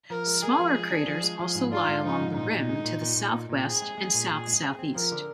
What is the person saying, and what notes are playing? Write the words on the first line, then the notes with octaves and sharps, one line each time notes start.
Smaller craters also lie along the rim to the southwest and south-southeast.
F3 A#4
G#3
G#3 G#4
F3
G#3
D4
F3
G#3
F3
G#2
D4 F4
G#2
F3 D#4
G#2
A#2 D#4
A#2
G#3
A#2
A#2
A#2
A#2
A#2
C4 G#4
G#3
G#3
A#2
A#2
G#3
C4
C4
F3 A#4
D3